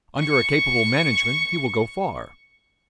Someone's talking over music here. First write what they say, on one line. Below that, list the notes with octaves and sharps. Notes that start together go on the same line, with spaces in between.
Under a capable management he will go far.
C#6 C#7